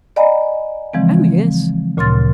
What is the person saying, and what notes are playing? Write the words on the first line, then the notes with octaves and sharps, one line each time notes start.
"Oh, yes."
D5 D#5 F#5 G#5 A#5 B5
C#3 E3 F3 G#3 C4
D2 A#2 C#3 C6 F6 A6